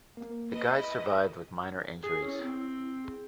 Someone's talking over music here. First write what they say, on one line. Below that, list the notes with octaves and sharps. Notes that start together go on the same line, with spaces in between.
The guide survived with minor injuries.
A#3
E4 B4 D#5
G#4
C#4 E4
C4
G#4